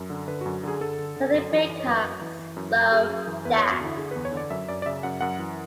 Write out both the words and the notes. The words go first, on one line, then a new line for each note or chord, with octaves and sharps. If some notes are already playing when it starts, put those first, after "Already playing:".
Sending big hugs, love dad.
Already playing: F#2
D3
D3 B4
F#2 F#4
D3 G#4
D3 A4
D3
D3
F#2
E3
E3
C#5
F#2 B4
F#2
E3
E3
F#2
F#2
F#2 G#4
F#2
E3
E2 B4
E2 C#5
F#4
D3 E4
D3 G#4
E2 B4
C#5
D3 D5
F#2 E5
F#2 D5
D5
C#3 E5
F#2 F#5
F#2 F#5
E3